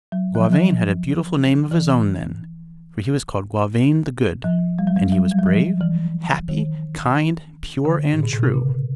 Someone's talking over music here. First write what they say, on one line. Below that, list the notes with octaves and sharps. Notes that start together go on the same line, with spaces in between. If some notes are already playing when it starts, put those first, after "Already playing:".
Gauvain had a beautiful name of his own then, for he was called "Gauvain the Good"; and he was brave, happy, kind, pure, and true.
F#3
F3
F#3
F3
E3
F3
G3
F#3
G3
F#3
G3
F#3
F3
E3
D#3
D3
A2
A#2
B2
C3
C#3